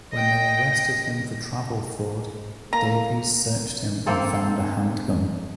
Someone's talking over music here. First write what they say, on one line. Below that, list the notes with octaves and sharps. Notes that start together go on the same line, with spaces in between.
When they arrested him for travel fraud, Davies searched him and found a handgun.
D#5 G5 A#6
A#3 A#5
A#3 C4 A4